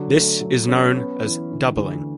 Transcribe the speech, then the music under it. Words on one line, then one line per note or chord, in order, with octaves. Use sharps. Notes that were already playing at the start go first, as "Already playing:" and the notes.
This is known as "doubling".
Already playing: D3 F#3
A3
F#3
C#4
B3
E3
D2
D2